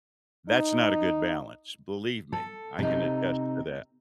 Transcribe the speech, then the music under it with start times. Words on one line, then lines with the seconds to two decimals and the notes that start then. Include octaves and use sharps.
that's not a good balance. Believe me. I can attest to that.
0.49 D#4
2.33 A4
2.79 C3 D#4